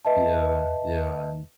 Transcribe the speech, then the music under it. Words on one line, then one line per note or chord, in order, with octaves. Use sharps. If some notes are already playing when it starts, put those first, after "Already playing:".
Yeah, yeah, and
B4 D#5 E5 A5